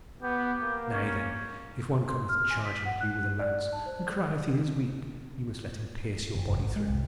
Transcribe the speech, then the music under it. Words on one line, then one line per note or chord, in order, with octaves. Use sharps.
Nay, then, if one cometh charging at you with a lance, and crieth he is weak, ye must let him pierce your body through!
B3 G4
A#3
C#4
C6
F6
G#5
B6
F#5
F#6
D5
D5
A5
C5
F#1
F1
G#1
G#3
C2